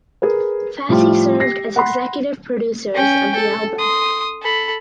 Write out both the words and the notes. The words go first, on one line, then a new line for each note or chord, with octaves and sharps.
Fassie served as executive producers of the album.
G#4 A#4 B4
A2 F3 G3 F4
G4 A#6 C7
F#5 B5 C6
C#4 G5
A4
C6 D#6
A4 B5